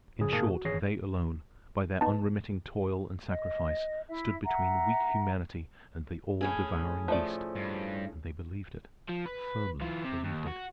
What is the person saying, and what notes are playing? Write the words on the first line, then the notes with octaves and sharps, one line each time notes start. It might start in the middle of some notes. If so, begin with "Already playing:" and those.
In short, they alone, by their unremitting toil and sacrifice, stood between weak humanity and the all-devouring beast; and they believed it, firmly believed it.
G1 C#3 F3 G#4
G#2 B2 A#3 G#4 A5
F#4
G#1 E3 G#4 C#5 A#6 C7
B3 D#4 A5
D#5
E4 E5
E5 F#5 A#5
A2 C#4 G#4
F3 A3 D5
G2
F3
B4
E3 F4
C3
D#2
F#4